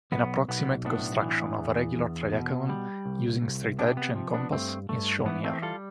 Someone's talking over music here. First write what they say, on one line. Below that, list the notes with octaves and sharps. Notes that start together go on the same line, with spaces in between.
An approximate construction of a regular tridecagon using straightedge and compass is shown here.
B1 B3
B1 B3
A2 B3 D4
E3
E2
E2
B2
G3
C2
C2
C3 B3 D4
B3
F3
B3 D4
G2 A3 C4
G2 A3
E3 B3
A3 C4
G3 F4 A4